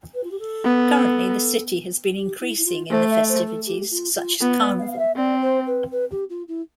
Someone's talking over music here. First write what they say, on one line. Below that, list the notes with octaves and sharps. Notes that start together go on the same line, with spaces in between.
Currently, the city has been increasing in the festivities such as Carnival.
B4
F4
G4
A4
B3
G4
E4
E4
F4
A3 C5
E5
C5
A4
G4
F4
F4
B3 F4
D5
F5
F5
E5
C4 D5
C5
B4
B4
G4
F4
E4